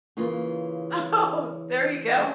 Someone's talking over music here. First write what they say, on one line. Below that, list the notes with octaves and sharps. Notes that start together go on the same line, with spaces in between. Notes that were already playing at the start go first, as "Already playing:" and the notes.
Oh, there you go.
C#3 E3 A#3 F4